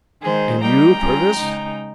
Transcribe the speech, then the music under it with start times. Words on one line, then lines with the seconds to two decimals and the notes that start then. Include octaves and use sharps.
"And you, Purvis?"
0.23 D#3 G#3 D#4 G#4 C5
0.61 G3 A#3 D#4 G5 A#5
1.00 G3 C#4 F4
1.37 C#3 G#3 D#4